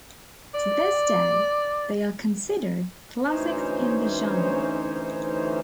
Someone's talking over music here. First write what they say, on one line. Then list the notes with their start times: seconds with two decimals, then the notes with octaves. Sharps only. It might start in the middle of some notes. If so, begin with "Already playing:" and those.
To this day, they are considered classics in the genre.
0.55 D5
3.28 D2 E3 C#4 D#4 C5 C#5